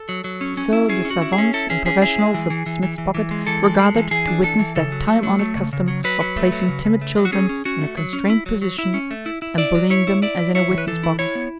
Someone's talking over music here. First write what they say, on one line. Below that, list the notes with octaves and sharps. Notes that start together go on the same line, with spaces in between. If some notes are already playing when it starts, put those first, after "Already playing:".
So the savants and professionals of Smith's Pocket were gathered to witness that time-honored custom of placing timid children in a constrained positions and bullying them as in a witness box.
Already playing: A4
F#3
F#3
C#4
C#4
E4
C#4 G#4
C#4
F#4
E4
G#4
C#4
E4 A4
C#4 G#4
C#4 G#4
E4 G#4
G#3
E3
E3
E3
E3
E3
E3
G#3
E3 A4
G#3
G#3
E3
E3 G#4
D4
E3 A4
E3
C#3 A4
F#3
A3
F#3
A3
C#3
C#3
F#3
F#3 B4
F#3
A3
F#3
C#3
C#3
A3
F#3
F#4
C#4 G#4
C#4
C#4 F#4
A3
F#3
C#4
E4
F#3
F#3
E4
C#4
A3
E4
E4
E4 D5
F#3
E4 C#5
E4
E4 D5
E4
E4 C#5
E3
B4
E3 A4
E4
E4 C#5
B3